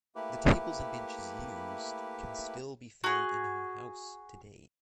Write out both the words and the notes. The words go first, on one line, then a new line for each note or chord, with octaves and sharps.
The tables and benches used can still be found in her house today.
A3 A#3 E4 G4 B4
F#4 G#4